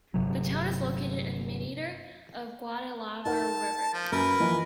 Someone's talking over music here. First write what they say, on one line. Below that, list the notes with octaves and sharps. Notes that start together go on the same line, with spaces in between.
The town is located in a meander of the Guadalaviar River.
G1 C3 F#3
D#4 A#4 F#5 A5
F3
F#2 A#4 B4
E3 F3 D#5